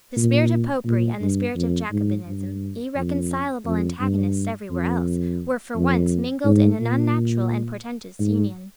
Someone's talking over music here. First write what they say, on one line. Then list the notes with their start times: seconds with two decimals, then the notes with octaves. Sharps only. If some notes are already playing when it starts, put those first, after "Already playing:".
The spirit of Popery and the spirit of Jacobinism, irreconcilable antagonists every where else, were for once mingled in an unnatural and portentous union.
0.17 A#2
0.85 A#2
1.21 G2
1.56 F2
1.91 G#2
2.26 G2
2.96 F2
3.66 F2
4.01 G2
4.71 F2
5.76 F2
6.45 G#2
6.81 A#2
8.20 G#2